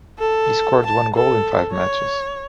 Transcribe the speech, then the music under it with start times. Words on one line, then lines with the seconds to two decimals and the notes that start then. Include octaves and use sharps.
He scored one goal in five matches.
0.19 A4
0.86 A5
1.15 A4
1.72 C#5